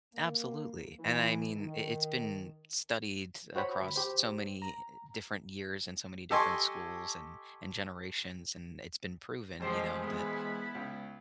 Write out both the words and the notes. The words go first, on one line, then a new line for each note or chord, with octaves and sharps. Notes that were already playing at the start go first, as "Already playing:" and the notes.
Absolutely. And, I mean, i it's been studied across so many different years and so many different schools and and generations, and it's been proven, you know, that
A#3
E3
D#3
F#4 C5 C#5 G5 B5
D2 B5
G4 C5
A#5
G4 A4 D#5 G#5 C6 C#6
E1 F3 G#3 A3 G4 C5 C7
B3 E4 B5
C#2